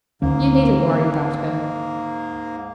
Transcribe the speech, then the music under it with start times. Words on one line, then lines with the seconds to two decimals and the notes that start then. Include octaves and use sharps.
You needn't worry about her.'
0.22 D2 G#2 A#3 C#4